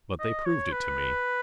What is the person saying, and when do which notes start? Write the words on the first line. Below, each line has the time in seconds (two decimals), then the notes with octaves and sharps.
But they proved it to me.
0.20 D#5
0.46 C#5
0.72 B4